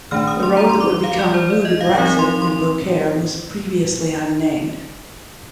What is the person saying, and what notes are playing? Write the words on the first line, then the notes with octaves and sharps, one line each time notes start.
The road that would become "Rue du Brexit" in Beaucaire was previously unnamed.
D#3 A3 D4 F6
D#6
C6
A#5
C6
D6
D6
F5
D5
C5
D5
D#5
F5
F3 C4 D#4 F5
C6
C6